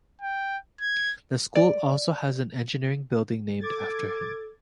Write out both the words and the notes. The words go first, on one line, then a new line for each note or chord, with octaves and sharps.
The school also has an engineering building named after him.
G5
G#6
D5
A4 D6 G#6 A6